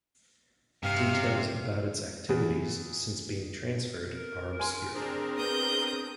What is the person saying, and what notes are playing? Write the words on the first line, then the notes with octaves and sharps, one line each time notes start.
Details about its activities since being transferred are obscured.
G2 C3 F5
E2
A#4
G#5 C6
C4 D4 G#4 A#4
B3 D#6 G6